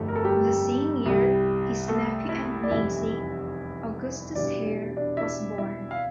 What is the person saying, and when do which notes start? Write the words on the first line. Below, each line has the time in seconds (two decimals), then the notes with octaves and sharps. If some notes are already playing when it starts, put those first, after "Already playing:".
The same year, his nephew and namesake, Augustus Hare, was born.
Already playing: G1 F2 E3 G3 A3 G4 A4
0.08 A#4
0.16 A4
0.24 G3 G4
1.06 C2 C3 G3
1.88 A3 A4
2.29 E4 E5
2.64 D5
2.70 F1 E2 E3 G3 E4 E5
4.35 E1 E2 E3 G3 D4 D5
4.97 D4 D5
5.17 E4 E5
5.58 E4 E5
5.91 F5